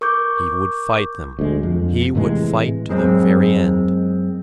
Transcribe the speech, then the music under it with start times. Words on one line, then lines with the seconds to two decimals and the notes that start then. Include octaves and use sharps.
He would fight them--he would fight to the very end.
0.01 A#4 C#6 D6 G6
1.39 D2 G#3
1.63 F2
2.15 A2 C3 E3 G#3
2.89 F#2 G#3 C4